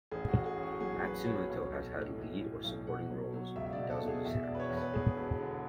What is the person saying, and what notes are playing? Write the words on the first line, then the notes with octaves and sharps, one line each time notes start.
Matsumoto has had lead or supporting roles in dozens of series.
A1 G#4
F#4
A1
G#4
A1
F#4
F#3 G#4
F#3 B4
F#3 C#5
B1
B1
A2
E3
A2
B1
B2 F#5
F#3
F#3
C#2 E5
E5
D5
B2
A4
B2
G#4
E2 E5
D5
E1
B4
C#5
E2
B4
E2 G#4
E1
D3